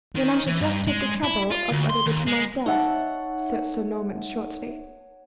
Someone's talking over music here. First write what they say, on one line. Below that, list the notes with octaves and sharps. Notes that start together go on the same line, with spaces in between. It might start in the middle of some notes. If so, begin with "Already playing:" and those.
"Then I shall just take the trouble of admitting myself," said Sir Norman, shortly.
D#3
E3
G2
G#3
E4
F4
D2
C6
D#2
G#3
D#4 C#5 E5 F#5 A5